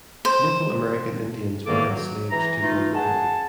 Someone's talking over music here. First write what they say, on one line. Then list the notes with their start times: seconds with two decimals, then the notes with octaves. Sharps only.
Local American Indians were enslaved to build the home.
0.25 C5
1.67 E2 D#3 A#3 A4 D6
1.89 F#3
2.31 E3 A#5
2.61 E3 A3 D#4 F4
2.95 G#4 F#5 A5